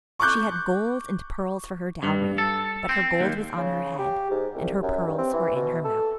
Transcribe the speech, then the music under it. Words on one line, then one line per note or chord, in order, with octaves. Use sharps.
She had gold and pearls for her dowry; but her gold was on her head, and her pearls were in her mouth.
C#6 D6 F#6 G6
G2
A4
C4
D#2
C#3
G4
G#2
C2
F#2
G2
C4
E3
B2
A4